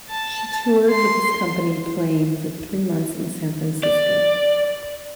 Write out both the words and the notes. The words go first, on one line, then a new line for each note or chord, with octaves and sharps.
She toured with this company, playing for three months in San Francisco.
A5
C6
D5